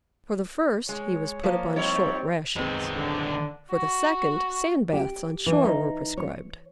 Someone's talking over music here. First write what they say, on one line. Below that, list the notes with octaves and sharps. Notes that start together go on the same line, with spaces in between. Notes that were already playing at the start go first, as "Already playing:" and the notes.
For the first he was put upon short rations; for the second, sand baths on shore were prescribed.
G#3 C#5
F3 A#3 C5
G3 C4 D#4 C#5
D#3 G#3 B3 C4
D3
F#4
G4
E3
D#4
C#5